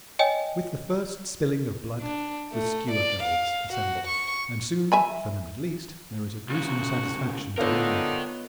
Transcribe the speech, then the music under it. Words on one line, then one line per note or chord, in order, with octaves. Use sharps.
With the first spilling of blood the skua gulls assemble, and soon, for them at least, there is a gruesome satisfaction to be reaped.
C#5 D#5 G5 G#5
D4
A3
D5
F5
F#4
C#6
E5 G#5 B5
C2 C#3 F#4
D3 B3 D#4 F4 A#4 C#5 D#5